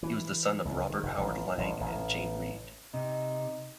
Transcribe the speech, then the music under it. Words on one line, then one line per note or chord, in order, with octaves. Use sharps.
He was the son of Robert Howard Lang and Jane Reid.
E3
C#2
D#3
F1
A1
A1
A1
C3 D#4